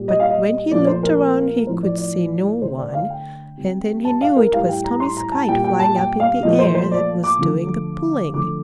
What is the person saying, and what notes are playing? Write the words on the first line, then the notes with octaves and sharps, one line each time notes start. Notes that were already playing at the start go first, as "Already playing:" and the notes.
But when he looked around he could see no one, and then he knew it was Tommie's kite, flying up in the air, that was doing the pulling.
Already playing: A#2 G3
D#5
F5
D#5
A#2 F3 A3 D5
C5
A#4
A2 F3 A3 C5
D5
D5
D3 A3 C5
D5
F5
G5
C3 G3
A5
F5
A#4
A2 G3 F5
G5
A#5
C6
A#5
A5
A#2 G3 G5
G5
A5
G5
F5
A#2 F3 A3 D#5
C5
C5
D5
D6
D3 F3 A3
D3 F3 A3 D6